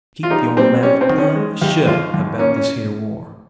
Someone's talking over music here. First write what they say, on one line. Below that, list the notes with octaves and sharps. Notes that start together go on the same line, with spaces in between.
Keep yo' mouth plum' shut about this here war.
F4
G3 D#4
G3 C4
G3 C#4
C4
D#3
C#4
G#3
D#2 G4
D#2 F4
D#2
A#3 C#4
C#4